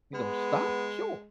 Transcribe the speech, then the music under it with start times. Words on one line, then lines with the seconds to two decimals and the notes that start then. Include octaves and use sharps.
you know, stopped? Sure,
0.14 G#3 B3